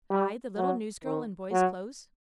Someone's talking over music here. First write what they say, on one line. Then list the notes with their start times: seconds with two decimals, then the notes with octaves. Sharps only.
I, the little newsgirl in boy's clothes?
0.10 G3
0.57 F#3
1.05 D#3
1.52 F#3